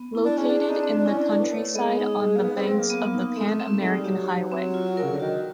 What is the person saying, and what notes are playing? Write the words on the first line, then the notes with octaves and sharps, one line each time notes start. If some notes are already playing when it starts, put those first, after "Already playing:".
Located in the countryside on the banks of the Pan American Highway.
Already playing: B3
E4
D4
C#4 G#4
D4
C4 D4
D#4
C4 D4
D4
C#4 E4
D4
D4 A4
B3
A3 C#5
G#3 B3
D#4
G#4
A#3
B3 G#4
C4
F#3 C4
A#3
B3
D#4
A3 C4
C4
G#3 D#4
G3
F#3 G4
C#5
C4
F4
A#4
C#3
D3
D#3 F#4